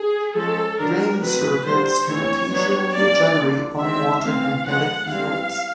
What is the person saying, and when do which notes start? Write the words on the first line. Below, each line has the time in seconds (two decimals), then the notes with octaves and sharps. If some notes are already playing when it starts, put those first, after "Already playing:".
Ring circuits can occasionally generate unwanted magnetic fields.
Already playing: G#4
0.34 F3 G#3 C#4 A4
0.78 D3 F#3 B3 D4 A#4
1.20 F#3 A3 C4 B4
1.63 D3 G3 A#3 D4 C5
2.07 E3 A3 C4 C#5
2.50 F#3 B3 D4 C#5
2.93 G3 A#3 C#4 D5
3.37 D3 F3 A#3
3.79 D#3 G#3 C4 E5
4.22 E3 A3 C4 F5
4.65 F3 G#3 B3 F#5
5.09 E3 G3 C4 F5